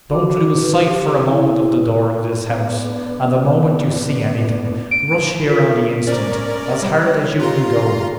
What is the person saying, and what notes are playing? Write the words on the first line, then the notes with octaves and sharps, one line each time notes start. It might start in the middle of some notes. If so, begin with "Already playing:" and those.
Don't lose sight for a moment of the door of this house, and the moment you see anything, rush here on the instant! as hard as you can go!
F#4 D6
B4
G4
E4
B3 D4
D7
F4 A#4 B6
C#4 A#4 C5 D5
G3 C#5
D#4 F4 G4 A#5 C6